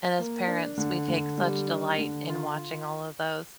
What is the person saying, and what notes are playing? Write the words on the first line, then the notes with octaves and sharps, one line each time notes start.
And, as parents, we take such delight in watching all of those.
A#3
D4
D3
D3
G3
D4
D3
F4